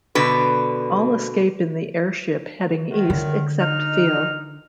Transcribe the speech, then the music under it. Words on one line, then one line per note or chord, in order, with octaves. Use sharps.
All escape in an airship heading east except Theo.
B2 D3 B4
F#2 D#3
D3
D#4 F6